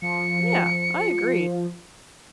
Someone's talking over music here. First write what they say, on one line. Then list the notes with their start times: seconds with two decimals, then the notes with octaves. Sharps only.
Yeah, I agree.
0.02 F3 C#7